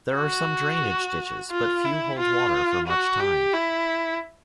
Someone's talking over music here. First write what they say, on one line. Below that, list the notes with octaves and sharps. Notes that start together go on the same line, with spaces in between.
There are some drainage ditches, but few hold water for much time.
F#4
F4
E4
F4
F#4
G4
E4